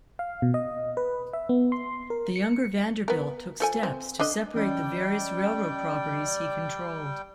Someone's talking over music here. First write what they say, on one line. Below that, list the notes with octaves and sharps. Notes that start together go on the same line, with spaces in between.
The younger Vanderbilt took steps to separate the various railroad properties he controlled.
F5
B2
D#5
B4
E5
B3
C6
A#4
C#7
B3 A#4
F3 A4 G#5
C4
D3 D4 D#5
E3 G3 C#4 D5 D#5 G5